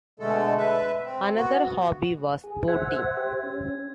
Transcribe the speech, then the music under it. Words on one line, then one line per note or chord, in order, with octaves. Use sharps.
Another hobby was boating.
B2 D3 G#3 A3 A4
B4 E5
C4
B3 F#4
G#4
C5 E5 F#5 G#6
G4 C5 E5
C#4